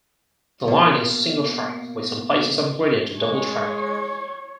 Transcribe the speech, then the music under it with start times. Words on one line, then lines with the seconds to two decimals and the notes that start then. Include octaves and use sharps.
The line is single track with some places upgraded to double track.
0.68 B2 A#3
3.19 G#3 C#5